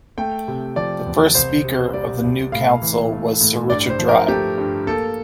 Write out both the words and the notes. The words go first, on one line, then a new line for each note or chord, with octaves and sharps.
The first Speaker of the new Council was Sir Richard Dry.
A3 G5
C3
F3 D5
E2
C2 C5
C3
G3 D5
C2
A2 F5
E3
A3
A2
G2 D5
C5
F3
A#4
A3 G4
G2
A#3 A4